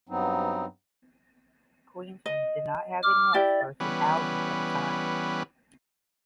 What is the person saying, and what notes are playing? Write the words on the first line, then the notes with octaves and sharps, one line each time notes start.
Queensland did not have any experts in algae at the time.
G2 F#3 B3 C4 D#4
D#5
D6 F6
E4 G4 D5
E3 G3 B3 C#4 B4